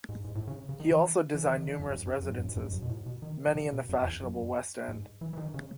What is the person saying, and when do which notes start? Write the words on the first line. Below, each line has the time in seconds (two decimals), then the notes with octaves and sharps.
He also designed numerous residences, many in the fashionable West End.
0.09 G#2
0.25 G#2
0.35 A2
0.48 C#3
0.69 C#3
0.80 D#3
0.91 E3
1.35 E3
1.46 D#3
1.57 D#3
1.68 D#3
1.79 F#2
1.90 F#2
2.07 F#2
2.23 F#2
2.31 G#2
2.40 F#2
2.49 G#2
2.56 F#2
2.65 G#2
2.73 F#2
2.82 B2
2.90 A2
3.06 B2
3.22 D#3
3.47 D#3
3.55 C#3
3.73 B2
3.89 F#2
4.05 E2
4.22 F#2
4.89 G#2
5.21 E3
5.33 E3
5.38 D#3
5.54 C#3